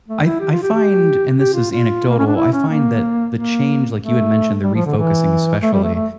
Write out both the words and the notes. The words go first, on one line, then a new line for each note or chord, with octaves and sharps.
I f I find and this is anecdotal, I find that the change, like you had mentioned, the refocusing, especially,
A3
E4
G4
F4
G4
G4
G4
F4
F4
A#3
C#4
D4
E4
C#4
A#3
A#3
A3
G3
F3
D3
E3
A3
G3
A3
A3